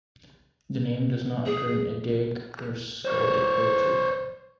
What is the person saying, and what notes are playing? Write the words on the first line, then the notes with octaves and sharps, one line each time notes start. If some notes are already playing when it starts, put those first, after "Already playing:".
The name does not occur in Eddaic or skaldic poetry.
G#4
C5 C#5